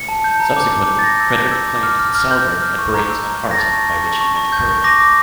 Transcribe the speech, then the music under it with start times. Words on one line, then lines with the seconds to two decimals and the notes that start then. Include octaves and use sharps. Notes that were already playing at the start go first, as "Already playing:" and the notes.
Subsequently, Frederick claimed that Saldern had brains and heart, by which he meant courage.
Already playing: C#7
0.09 A5
0.24 G6
0.40 A#5
0.57 D6
0.72 D6
0.88 G6
0.99 A6
1.03 G6 A#6
1.20 E6
1.36 G6
1.52 E6
1.68 D6
1.83 F6
1.99 F6
2.15 F6
2.31 F6 G6
2.46 F6
2.62 F6
2.78 C#6
2.94 A#5
3.10 E6
3.26 A#5
3.41 E6
3.51 A#6
3.57 A5 A6
3.73 C#6
3.89 C#6
4.05 A5
4.21 C#6
4.37 C#6
4.52 G6
4.69 C#6
4.84 D6 A#6
5.00 D6